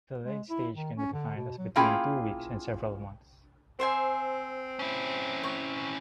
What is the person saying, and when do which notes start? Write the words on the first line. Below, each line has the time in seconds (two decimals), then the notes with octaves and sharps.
The late stage can be defined as between two weeks and several months.
0.25 G#3
0.50 E4
0.76 D#3
0.97 C#4
1.13 D3
1.36 B2
1.58 F#3
1.76 A#3 C#4 E4 F4 G#4 G5
3.80 C4 C5 E5 G#5
4.79 C#4 E4
5.43 C#5